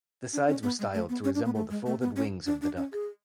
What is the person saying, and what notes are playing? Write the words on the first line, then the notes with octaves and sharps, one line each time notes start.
The sides were styled to resemble the folded wings of the duck.
D4
C#4
B3
G#3
A3
B3
C#4
D4
B3
A3
G#3
A3
B3
C#4
D4
D4
C#4
G#4